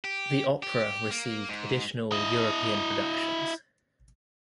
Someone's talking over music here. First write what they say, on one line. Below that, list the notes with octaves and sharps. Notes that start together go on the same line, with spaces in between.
The opera received additional European productions.
G4
G4
A#3
G#2
E4 D#5